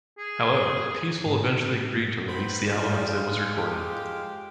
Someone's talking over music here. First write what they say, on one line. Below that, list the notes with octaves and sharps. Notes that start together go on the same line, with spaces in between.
However, Peaceville eventually agreed to release the album as it was recorded.
G#4
G#2
A2 B3 C5 B5
F3 G3 G#3 F5
F3 F4 G4